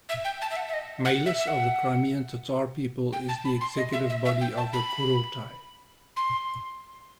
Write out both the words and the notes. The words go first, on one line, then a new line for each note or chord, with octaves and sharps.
Mejlis of the Crimean Tatar People is the executive body of the Kurultai.
E5
G5
A5
E5
F#5
E5
D#5
F#5
E5
E5
F#5
G5
A5
B5
C6
D#5
E5
E5
E5
G5
A5
B5
C6